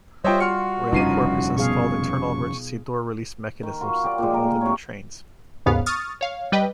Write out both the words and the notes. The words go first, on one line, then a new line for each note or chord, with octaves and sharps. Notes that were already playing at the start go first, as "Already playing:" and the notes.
RailCorp has installed internal emergency door release mechanisms on all the new trains.
G3 F4 C5 C#5 D#5 E5 G5
F#4 C6 F6 C#7
F1 G2 C#3 C#4 D#4 F4 C7 D#7
B2 G#4 F5 C#6
D#3
F4 F#4
G4 D5
A#2 F3 G#3
A#4
C3 C#5
D#2 G#2 C#3 B3 F5
C#6 D#6 F6 A6
C#5 F5
G3 B4 D#5 G5